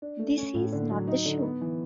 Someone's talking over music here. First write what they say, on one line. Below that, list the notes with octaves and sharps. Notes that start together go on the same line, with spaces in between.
This is not the shoe.
D4
A3
C#4
A2
D3
F#3
D#4
D3
B3
E3